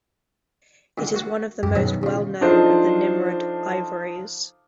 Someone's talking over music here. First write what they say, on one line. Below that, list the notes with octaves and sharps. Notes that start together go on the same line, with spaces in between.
It is one of the most well known of the Nimrud ivories.
A#2 D3
A#3 F#4 F#5
F#2 G4
B2 D#3 F#3 G#3 B3
C#3 F4
F3 D4 D#4 F4 A4 C5